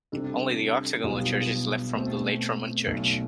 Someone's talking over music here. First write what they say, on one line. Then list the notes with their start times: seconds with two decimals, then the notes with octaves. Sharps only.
Only the octagonal church is left from the late roman church.
0.12 C3 G3 D4 A4
1.04 B1 B2 G3 B3 F4
1.96 B2 A3 C4
2.87 B1 B2 A3